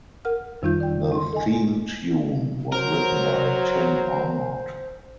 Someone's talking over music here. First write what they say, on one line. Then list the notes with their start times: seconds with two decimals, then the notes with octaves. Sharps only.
The theme tune was written by Tim Arnold.
0.25 A#4 F#5 F6
0.62 F2 D#3 G3 D#4 F4 G6
0.80 D5 G5
1.12 D#4 C6
1.33 A4 D#5 G#5
2.72 F#3 A#4 C5